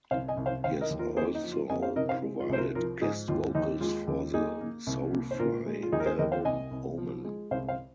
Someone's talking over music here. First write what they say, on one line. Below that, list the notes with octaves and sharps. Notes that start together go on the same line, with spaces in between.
He has also provided guest vocals for the Soulfly album "Omen".
C2 C5 F5
D#5 G#5
C2
C5 F5
D#3 C5 F5
A#4 D#5
D#2
F4 A#4
A#3 G#4 C5
D#4
F3
F4
F2 D#5 G#5
C5 F5
C3 A#4 D#5
C5 F5
G#3
F4
C2 C5
F4 A#4
F3 F4 A#4
G#2 D#4 G#4
D#2 F4
D#2 D#4
G#3 F4
D#2
A#3 D#4 G#4
A#3
C2
A#3
C5
A#2 F4 A#4
G#3
F4
D#2 D#4 G#4
A#4
G#4 C5
D#2 A#4 D#5
C5 F5
C2 D#5 G#5
C2
F3
G#3
C2 C5 F5
C5 F5